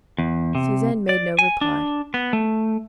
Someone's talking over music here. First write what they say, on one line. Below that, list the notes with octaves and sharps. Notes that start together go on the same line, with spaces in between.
Suzanne made no reply.
E2
C3
D5
G#5
D4
B3
A3